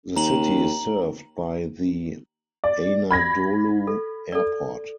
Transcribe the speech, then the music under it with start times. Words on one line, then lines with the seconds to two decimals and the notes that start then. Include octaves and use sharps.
The city is served by the Anadolu Airport.
0.16 D#2 A#5 F#7
2.64 D5
3.11 B5 G#6 A#6
3.87 A4
4.32 A4 D5